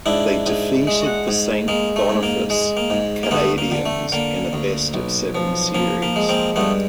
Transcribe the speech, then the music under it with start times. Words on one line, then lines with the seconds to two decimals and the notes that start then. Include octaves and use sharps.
They defeated the Saint Boniface Canadiens in a best-of-seven series.
0.06 G#2 D4 E4
0.47 G#2
0.87 G#3
1.28 G#2
1.68 G#3 A#3
1.96 A3
2.10 G#2
2.23 A#3
2.50 G#3
2.77 A#3
2.90 G#2
3.23 A#3
3.31 D2 A3 B3
3.58 A#3
3.71 D3
3.86 A3
4.12 D3 A#3
4.53 D2
4.94 B1
5.35 F3
5.75 F3 A#3
6.02 A#3
6.16 G#3
6.29 A#3 C4
6.56 G2 A3 B3